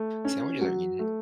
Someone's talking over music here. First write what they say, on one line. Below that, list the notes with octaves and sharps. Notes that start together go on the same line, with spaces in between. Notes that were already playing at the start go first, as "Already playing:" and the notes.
Sandwiches are eaten
Already playing: A3
C#4
F#3
A3